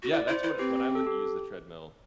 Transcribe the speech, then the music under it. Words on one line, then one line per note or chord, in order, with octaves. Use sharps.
Yeah, that's what when I would use the treadmill,
F#4
E4 D5
E4 C5
E4 B4
C4 G4
A4
G4